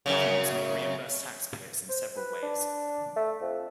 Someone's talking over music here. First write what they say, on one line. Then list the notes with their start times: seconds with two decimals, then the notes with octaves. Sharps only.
Governments may reimburse taxpayers in several ways.
0.06 F#2 A2 C#3
1.89 C5
2.17 B4
2.43 D4
3.16 A3
3.41 F2